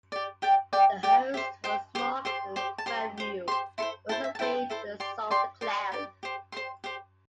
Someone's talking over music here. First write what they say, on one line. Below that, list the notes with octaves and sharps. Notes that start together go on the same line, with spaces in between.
The host was Marc Favreau, who also played Sol the Clown.
G4 D5
G4 D5 G5
G4 D5 G5
G4 D5 G5
G4 C5 E5
G4 C5 G5
G4 C5 C6
G4 C5 C6
G4 C5
A5
G4 C5 C6
G4 C5
G4 C5 C6
E4 A4 C5 C6
E4 A4 C5 A5
E5
A5
E4 A4 C5 G5
E4 A4 C5
G4 D5 C6
G4 D5 C6
G4 D5 C6
G4 D5
G4 C5
G4 C5 C6
G4 C5